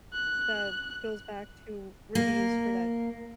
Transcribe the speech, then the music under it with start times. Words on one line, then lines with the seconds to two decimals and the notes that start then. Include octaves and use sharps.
that goes back to reviews for that
0.13 F#6
2.15 A#3